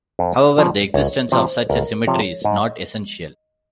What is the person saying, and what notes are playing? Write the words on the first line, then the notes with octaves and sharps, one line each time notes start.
However, the existence of such a symmetry is not essential.
F2
C#3 F3
C#2 C#5
C3 F3 C5
C#2 A#4
C3 F3 C#5
G#2 D#5